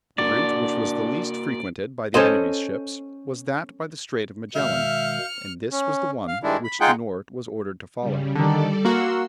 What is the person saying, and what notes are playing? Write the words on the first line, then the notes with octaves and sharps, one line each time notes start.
The route which was the least frequented by the enemy's ships was that by the Strait of Magellan, and this was the one which De Noort was ordered to follow.
A#3 D4 F#4 A#4 D5
C#4 A4 C5 D#5
B2 D#3 G#3 E5 F5 F6 G6 C#7
C#4
F5
G2 D#3 G#3 D4 E4
B5
G#3 D#4 F4 G#4 F#5 G5
C#3 G3
D3 D#3 G3 A4 D5
A#3 F#4 C6 E6